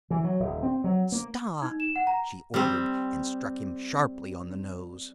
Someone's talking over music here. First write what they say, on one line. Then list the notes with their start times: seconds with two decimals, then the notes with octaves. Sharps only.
"Stop!" she ordered, and struck him sharply on the nose.
0.10 E3
0.24 F#3
0.39 D#1
0.63 C4
0.84 F#3
1.12 A#3
1.62 D#4
1.80 E7
1.96 F#5
2.07 A#5
2.54 G3 C4